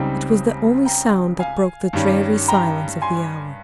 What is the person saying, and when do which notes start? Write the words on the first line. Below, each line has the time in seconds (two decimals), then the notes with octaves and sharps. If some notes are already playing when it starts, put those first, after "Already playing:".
It was the only sound that broke the dreary silence of the hour.
Already playing: C#2 C#3 G3 C4 D#4 G5
0.85 G5 A#5
1.39 F5 G#5
1.93 G2 D#3 G3 C#4
2.48 G5 A#5
3.02 G#5 C6